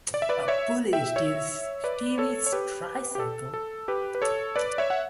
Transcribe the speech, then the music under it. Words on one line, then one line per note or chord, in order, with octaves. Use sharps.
A bully steals Stewie's tricycle.
D5
E5
B4 D5
C#5 E5
E5 G5
C#5 E5
B4 D5
A4 C#5
C#5
G4 B4
G4
A4
A4
G4 B4
B4
A4 C#5
B4 D5
C#5 E5
F#5